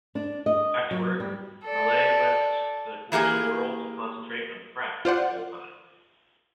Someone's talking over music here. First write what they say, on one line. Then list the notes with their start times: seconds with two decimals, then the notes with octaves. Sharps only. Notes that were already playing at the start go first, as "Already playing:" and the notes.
Afterwards, Mallett left the commercial world to concentrate on Frazz full-time.
0.15 D4
0.46 D#5
0.91 F#3
1.20 G3
1.65 A4 D5
3.12 E3 A#3 G4 G#4
5.05 F4 C5 D5 F#5